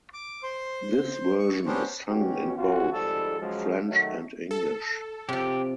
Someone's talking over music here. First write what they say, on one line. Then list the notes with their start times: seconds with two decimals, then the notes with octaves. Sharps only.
This version is sung in both French and English.
0.14 D6
0.43 C5 C6
1.39 C#6
1.66 B3 C#4 D4 G4 C5
2.10 G#1 D#2 B2 C#4 F#4 G4
2.56 C3 C#4 F4 F#4
2.92 G#1 G#2 F3 G3 A4
3.39 C#3 F3 F#3 G#3
3.88 D#3 F#3 A3
4.51 A4
5.29 C3 F3 G4